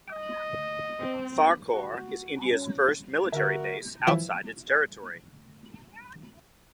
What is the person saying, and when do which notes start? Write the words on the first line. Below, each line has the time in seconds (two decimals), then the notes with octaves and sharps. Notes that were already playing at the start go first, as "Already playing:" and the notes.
Farkhor is India's first military base outside its territory.
0.12 D#5
1.01 C4
1.73 F#4
2.51 C#4 C#5
3.32 D3 F#4 A#4 E5
4.07 E3 F3 E4